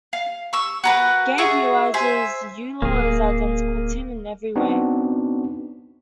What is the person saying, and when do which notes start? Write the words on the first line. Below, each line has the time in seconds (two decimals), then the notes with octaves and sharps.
Gabe realizes Yulaw is identical to him in every way.
0.13 F5
0.53 C#6 E6
0.84 F#4 A#4 B4
1.38 F4 F#4 G#4 E5
1.94 C5 E5 G#5
2.82 D1 A#3 G#4
4.56 B3 C4 D4 D#4 F#4